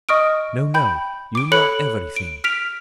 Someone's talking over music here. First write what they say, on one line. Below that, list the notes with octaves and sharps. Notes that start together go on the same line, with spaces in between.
No, no; you know everything.
D#5 C#6 D#6 F6 D7
G5 B5 G6
D6 D7
A4 C#5 B5 F#6 C#7 F#7
D7
F6 B6 D7 F7